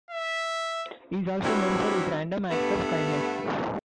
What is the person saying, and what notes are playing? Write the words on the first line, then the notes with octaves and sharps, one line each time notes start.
He is also known for his random acts of kindness.
E5
G2 F#3 G3 C4 E4 F#4
G2 A3 B3